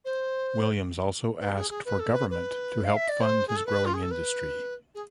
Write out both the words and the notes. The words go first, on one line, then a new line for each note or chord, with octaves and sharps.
Williams also asked for government to help fund his growing industry.
C5
B4
G#4
G#4
B4
A4
B4
B4
F5
E5
D5
C5
G#4
A4
B4
F4
G#4
A4
B4
G#4